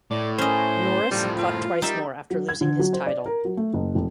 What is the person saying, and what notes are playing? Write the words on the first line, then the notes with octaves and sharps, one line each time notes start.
Norris fought twice more after losing his title.
A2 D5
C#4 C5 D#5
A2 F3 G3
F4
G3 D#4 E5
F#3
G#6
D3
F#3
C5
D5
A#4
F#3
A3
F#1
F1